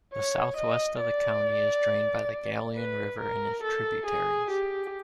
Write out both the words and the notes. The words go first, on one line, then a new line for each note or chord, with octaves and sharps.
The southwest of the county is drained by the Galien River and its tributaries.
C#5
D#5
D5
B4
A#4
A4
G#4
G4